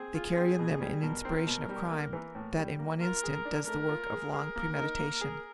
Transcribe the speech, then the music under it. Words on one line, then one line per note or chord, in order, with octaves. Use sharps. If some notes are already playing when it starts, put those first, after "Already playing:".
They carry in them an inspiration of crime, that in one instant does the work of long premeditation.
Already playing: C4 G#4
F4
C4
B2
G3
B2 A#4
C4
B2
G3
A#3
E3
A2
G3
A#3
F4 A#4
G#4
D4
A3 A#4
F4
G#4
G#4 A#4
A#3
D#4
A#3
G#4